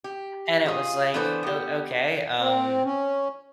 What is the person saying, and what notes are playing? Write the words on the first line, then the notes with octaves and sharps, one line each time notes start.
And it was like, "Oh, okay, um"
G4
F4 G#4
E3 B3 D4 A4 B4 C5
B3 G4
C4
C#4